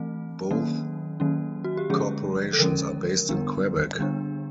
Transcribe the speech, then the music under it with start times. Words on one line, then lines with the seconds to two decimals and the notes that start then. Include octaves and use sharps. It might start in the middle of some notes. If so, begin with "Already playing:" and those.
Both corporations are based in Quebec.
Already playing: E3 A3 C4
0.51 D#3 F#3 A#3 C#4
1.20 D#3 F#3 A#3 C#4
1.64 F#4
1.77 G4
1.90 D3 F3 G#3 C#4 G#4
2.53 A4
2.59 D3 F3 G#3 C#4 A#4
3.29 D3 G3 B3 D4
3.99 D3 G3 B3 D4